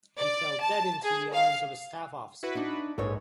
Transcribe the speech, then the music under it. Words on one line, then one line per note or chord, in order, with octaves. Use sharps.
He fell dead into the arms of a staff officer.
D5
A5
G#4
F5
E4 F#4 B4
D4 D#4
A#1 G#2 A4 B4 C#5